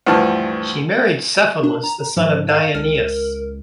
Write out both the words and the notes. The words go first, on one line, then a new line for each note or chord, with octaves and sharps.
She married Cephalus, the son of Deioneus.
D2 G2 E3 F3 A5 F6
D4
A#5
G#2 F3
F5
C#2 A#4